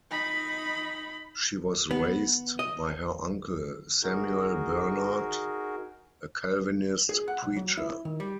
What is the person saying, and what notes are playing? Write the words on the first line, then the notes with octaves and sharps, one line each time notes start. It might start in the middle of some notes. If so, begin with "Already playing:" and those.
She was raised by her uncle Samuel Bernard, a Calvinist preacher.
D#4 B5
B3
D#5
D#4 F#4 G#4 A#4
G#4
F#5
B1
F#3
E4
D#3
G3